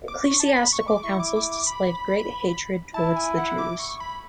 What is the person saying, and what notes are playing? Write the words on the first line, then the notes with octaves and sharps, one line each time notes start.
Ecclesiastical councils displayed great hatred toward the Jews.
D6
C#6
A5
B5
C#6
D6
E4 C#6
D6
D6
D6
B5
E4 A5
G#5
F#5
D6
C#6
B5